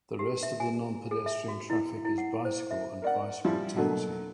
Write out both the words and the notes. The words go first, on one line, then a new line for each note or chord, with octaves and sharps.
The rest of the non-pedestrian traffic is bicycle and bicycle taxi.
G4
E5
G#5
G#4
E5
F#4
E4
E4
F#5
C5
E5
A#4 D5 F#5
E3 F3 G3 E4
B2 D3 F#3 A3 A#3